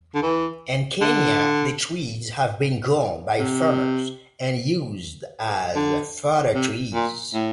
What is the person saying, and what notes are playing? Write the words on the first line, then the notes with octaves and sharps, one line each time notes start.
In Kenya the trees have been grown by farmers and used as fodder trees.
D3
E3
D3
C3
D3
C3
A#2
A2